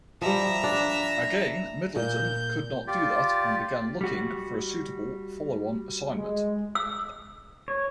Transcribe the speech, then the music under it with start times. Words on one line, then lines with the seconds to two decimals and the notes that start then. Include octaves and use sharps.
Again, Middleton could not do that, and began looking for a suitable follow-on assignment.
0.21 F3 G3 E5 A#5
0.64 D4
1.96 A#2 G6
2.87 F4 G4 D5
4.01 G3 F#4
6.16 G#3
6.75 E6
7.68 C#5